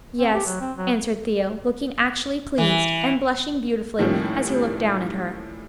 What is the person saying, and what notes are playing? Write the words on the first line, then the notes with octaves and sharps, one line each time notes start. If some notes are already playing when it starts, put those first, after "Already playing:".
"Yes," answered Theo, looking actually pleased, and blushing beautifully as he looked down at her.
C4
G4
F#3
C4
F#3
E3
A2 D#3 F3 G3 A#3 C#4